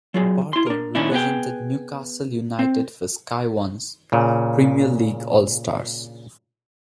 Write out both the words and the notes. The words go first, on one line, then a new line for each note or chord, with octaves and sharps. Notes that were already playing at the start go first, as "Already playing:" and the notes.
Barton represented Newcastle United for Sky One's "Premier League All Stars".
F#3 F4 G#4
E4 C6
D4 A#4
A#2 D#3 C#4 D4 E4
B3 G#4 B4 G5
C4
A#2 C#3